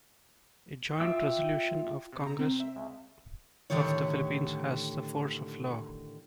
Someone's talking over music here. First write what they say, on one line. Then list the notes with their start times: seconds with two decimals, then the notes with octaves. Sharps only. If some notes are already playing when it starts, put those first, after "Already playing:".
A joint resolution of the Congress of the Philippines has the force of law.
1.00 F4 E5 G5 D6 E6
2.12 C3
2.27 A#5
2.39 C4
2.60 E5
2.75 C#2
3.70 A2 D3 D#3 G4 C#5